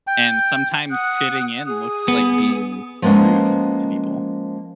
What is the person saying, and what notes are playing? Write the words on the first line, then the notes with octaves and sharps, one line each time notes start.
And sometimes fitting in looks like being rude to people.
G5
F#5 D#6 F#6
G#4 D#6
B3
F3 G#3 A#3 B3 C#4